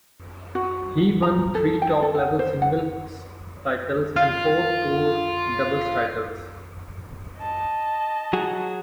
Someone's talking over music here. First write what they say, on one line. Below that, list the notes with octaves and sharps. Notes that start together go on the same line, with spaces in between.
He won three top-level singles titles and four tour doubles titles.
F#4
A#5
A4
G5
A4
F#5
C5
F#5
F4 F5
D#5 A5
F#3 F#4 G#4